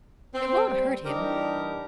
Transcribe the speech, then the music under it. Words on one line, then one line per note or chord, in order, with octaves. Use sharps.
"It won't hurt him."
C4
G3 C4
E3 G3 D4 D#4 G4 A#4